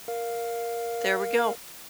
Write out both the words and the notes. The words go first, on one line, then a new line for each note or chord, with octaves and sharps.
There we go.
A#4 F5